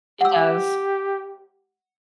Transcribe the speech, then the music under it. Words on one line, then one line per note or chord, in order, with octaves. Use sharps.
It does.
G4 F#5 E6